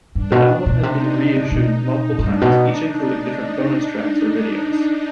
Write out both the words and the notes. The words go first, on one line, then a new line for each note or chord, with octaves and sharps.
The album has been reissued multiple times, each including different bonus tracks or videos.
G2 D4
B2
B2
C3 D#4
B2
G2 D4
B2